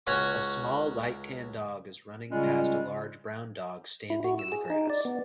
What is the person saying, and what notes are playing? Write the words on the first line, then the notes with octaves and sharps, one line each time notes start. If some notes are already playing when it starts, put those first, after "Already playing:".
A small light tan dog is running past a large brown dog standing in the grass.
C#2 C#4 F#4 C#5 G#5 C#6
C#3 G3 G#3 C#4 F4
E4
F#4
E6
G#4
D#4
D5
B3